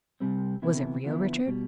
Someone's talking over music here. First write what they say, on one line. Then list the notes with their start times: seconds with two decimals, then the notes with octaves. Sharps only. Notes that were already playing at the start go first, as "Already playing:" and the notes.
"Was it real, Richard?"
0.20 C2 C3 G3 C4
0.62 D2 C3 E3 B3 E4
1.04 D3 F3 B3 E4
1.46 B2 G3